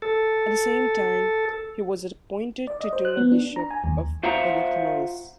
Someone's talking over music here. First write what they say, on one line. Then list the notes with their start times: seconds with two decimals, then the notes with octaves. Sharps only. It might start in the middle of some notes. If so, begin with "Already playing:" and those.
At the same time, he was appointed Titular Bishop of Agathonice.
0.02 A4
2.67 D5
2.81 D#5
2.93 C5
3.05 F#6
3.17 B3
3.32 D4
3.56 A#5
3.71 G#5
3.84 D#2
4.23 F4 C5 E5 F#5 A#5